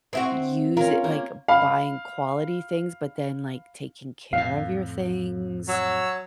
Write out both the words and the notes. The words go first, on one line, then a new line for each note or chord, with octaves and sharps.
use it, like, buying quality things, but then, like, taking care of your things.
C4 E4 F#4
C#4 F4 A#4
A#3
F5 B5
F2 A2 F5
F#3 C#5 E6